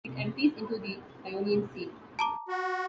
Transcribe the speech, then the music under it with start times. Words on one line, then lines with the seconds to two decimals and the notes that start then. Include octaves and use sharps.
It empties into the Ionian Sea.
2.19 A5 A#5 D6
2.49 F#4